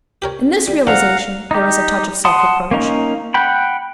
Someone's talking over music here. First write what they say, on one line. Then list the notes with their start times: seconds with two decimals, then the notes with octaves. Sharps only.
In this realization there was a touch of self-reproach.
0.22 G4 A#4 C#5
0.68 G3
0.87 G2 D3 F3 F5 F#5 A#5
1.51 D#4 G4
2.25 F#5 A5 C6 D#6
2.71 A#3 C#4 D#4 A#4
3.34 F#5 G5 B5